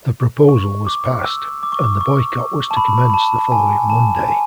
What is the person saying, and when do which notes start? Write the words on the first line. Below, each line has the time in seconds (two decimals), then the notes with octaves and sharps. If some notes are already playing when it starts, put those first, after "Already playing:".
The proposal was passed, and the boycott was to commence the following Monday.
0.49 C#6
0.87 D6
1.25 E6
1.63 D6
1.72 C#6
1.81 D6
2.01 C#6
2.71 A5
2.77 B5
3.10 B5
3.14 A5
3.52 G#5
3.90 A5
4.28 G#5